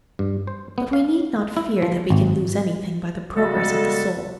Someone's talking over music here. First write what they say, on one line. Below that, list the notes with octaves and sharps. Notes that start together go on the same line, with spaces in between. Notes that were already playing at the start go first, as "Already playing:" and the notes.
But we need not fear that we can lose any thing by the progress of the soul.
G2
C5
B3
F5
E4
F3
G#1
C#3 G3 G#3 B3 F#4 A4